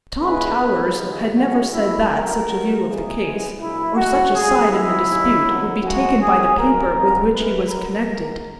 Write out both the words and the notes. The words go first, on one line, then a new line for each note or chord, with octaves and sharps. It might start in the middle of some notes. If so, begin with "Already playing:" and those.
Tom Towers had never said that such a view of the case, or such a side in the dispute, would be taken by the paper with which he was connected.
E2 C#3 E3 G#3 B4
B1 A#2 F#3
D#2 C#3 G#3
C#2 C#3 E3 F#4
F#2 C#3 F#3 E4
C#2 B2 F#3 A#4
B1 B2 F#3
E2 C#3 E3 G#3 G#4
G#1 F#2 E3 G#3
A#1 A#2 F#3 E4
E2 D#3 G#3 F#4
F#2 C#3 G#3 G#4
G#1 F#2 E3 G#3 E4
D#2 C#3 G#3
G#1 F#2 D#3 F#3
F#2 C#3 G#3 F#4
B1 A#2 F#3 G#4
F#2 D#3 G#3 A#4
G#1 F#2 C#3 G#3
G#1 F#2 E3 G#3 B4
A#1 G#2 F#3 A#4
C#2 B2 G#3